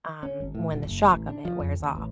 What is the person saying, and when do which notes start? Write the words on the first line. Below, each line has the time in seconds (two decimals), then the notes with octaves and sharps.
um, when the shock of it wears off
0.23 C#4
0.40 G#1
0.55 A2
0.73 D#1
0.87 F#1
1.12 A1
1.29 D4
1.45 F3
1.60 F2
1.80 D#2
1.95 A1